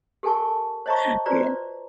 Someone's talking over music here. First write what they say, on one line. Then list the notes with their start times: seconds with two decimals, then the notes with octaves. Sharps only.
it. Yeah.
0.23 G4 A4 A#4 G#5 A5 C#6
0.86 C5 C#5 D#5 A5 A#5 C#6
1.26 F4 F#4 B4 C5 D5 A#5